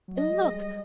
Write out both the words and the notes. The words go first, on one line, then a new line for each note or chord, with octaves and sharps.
And look!
F#3
D#5
G#3
D#5
G3